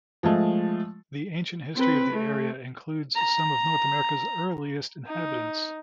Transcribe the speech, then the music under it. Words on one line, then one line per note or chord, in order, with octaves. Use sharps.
The ancient history of the area includes some of North America's earliest inhabitants.
F3 G#3 A3
C4 B4
A3
A#5
D#4